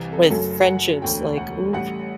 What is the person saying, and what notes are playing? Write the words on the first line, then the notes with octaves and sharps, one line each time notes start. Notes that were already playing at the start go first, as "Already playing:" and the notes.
with friendships, like, "oof."
Already playing: C2 C3 E3
A4
F#1 F#2 F#3 A3 A4
F#5
E1 D2 D3 G5
F#5
A1 A2 G3 F#5